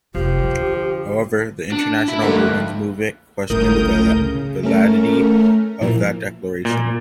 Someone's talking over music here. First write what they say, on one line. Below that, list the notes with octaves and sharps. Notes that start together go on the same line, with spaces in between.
However, the international women's movement questioned the validity of that declaration.
F1 F3 G4
D3
D4
E4 E5
C#2 D3 A3 A#3 E5
F2 F#6
G1 C#2 A2 A#4 D#6 G6
C#3
A3 C#4 A#4
A#2 E3 F3 A#3
A#2